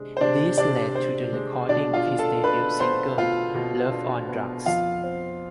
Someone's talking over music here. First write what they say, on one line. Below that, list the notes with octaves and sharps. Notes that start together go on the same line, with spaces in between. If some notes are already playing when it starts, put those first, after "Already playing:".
This led to the recording of his debut single "Love on Drugs".
Already playing: C3 G#3 D4
C5
C3 D4 D5
C3 D4 D5
D4 C5
G#3
B2 D4 D5
F4 F5
B2
A4 A5
D4 B4 B5
B3 C5 C6
B2 F4 F5
B2
D4
B3
F2 F4 F5
C4